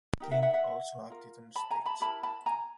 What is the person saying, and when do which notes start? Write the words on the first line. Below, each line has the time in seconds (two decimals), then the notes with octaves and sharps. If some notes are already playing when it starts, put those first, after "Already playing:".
King also acted on stage.
0.20 D#4 G4 A#4
0.31 E5 F#5
0.42 E5 F#5
0.53 E5 F#5
1.10 F4 A#4
1.56 A5 B5
1.70 G#5 A#5
1.86 A5 B5
2.00 E4 G4 A#4 A5 B5
2.23 A5 B5
2.46 G#5 A#5